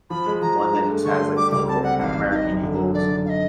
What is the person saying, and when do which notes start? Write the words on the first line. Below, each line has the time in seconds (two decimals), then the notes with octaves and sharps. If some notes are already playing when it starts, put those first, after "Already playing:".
one that just has, like, the little American eagles and
0.10 F3 B5
0.26 G#3
0.42 F3 A#5
0.57 G#3
0.73 G2
0.89 A3
1.05 D3 C#6
1.10 C6
1.20 A3
1.36 G3 D6
1.52 C#2 D6
1.68 C4 A5
1.83 G3 F#5
1.99 G#1 F#5
2.04 F5
2.15 G#1
2.31 D#3 D#5 F5
2.46 F#2
2.63 D3
2.78 F#3
2.93 D3 D5
3.10 D3
3.25 F5
3.29 D#5